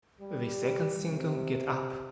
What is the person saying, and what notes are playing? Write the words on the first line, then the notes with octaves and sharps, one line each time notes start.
The second single Get Up!
G3
C3